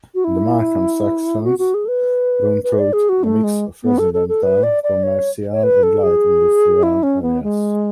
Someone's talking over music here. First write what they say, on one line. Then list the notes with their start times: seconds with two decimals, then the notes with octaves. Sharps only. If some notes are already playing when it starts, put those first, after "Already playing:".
The Markham sections run through a mix of residential, commercial and light industrial areas.
0.15 F#4
0.24 E4
1.44 F#4
1.59 F#4
1.74 G#4
1.85 A4
1.88 B4
2.64 B4
2.79 D5
2.93 G#4
3.09 F#4
3.24 A3
3.44 G#3
3.83 B3
3.98 A4
4.13 A4
4.29 A4
4.43 B4
4.63 D5
4.83 D5
5.03 C#5
5.52 C#5
5.63 B4
5.83 A4
6.03 G#4
6.83 E4
7.03 C#4
7.22 B3
7.43 G#3